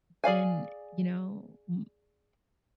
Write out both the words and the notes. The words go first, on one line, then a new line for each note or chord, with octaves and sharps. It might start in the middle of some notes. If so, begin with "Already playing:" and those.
been, you know, m
G#4 D5 F5 G#5